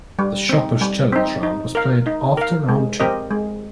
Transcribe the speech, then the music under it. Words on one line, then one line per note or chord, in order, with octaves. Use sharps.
The "Shopper's Challenge Round" was played after round two.
G3
C4 D#4
G3
C4 D#4
D#4
A#4 F5
D#4
A#4 F5
G#3
C4 G4 A#4 D#5
G#3